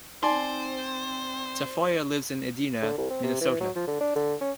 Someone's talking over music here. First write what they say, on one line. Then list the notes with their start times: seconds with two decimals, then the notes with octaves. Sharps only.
Tafoya lives in Edina, Minnesota.
0.23 C4 D#4 C5 D5 G#5 C6
2.82 D3
2.98 C2
3.11 C4
3.24 C3
3.41 E3
3.61 F#3
3.76 F3
3.88 D3
4.01 D4
4.16 D3
4.41 C#4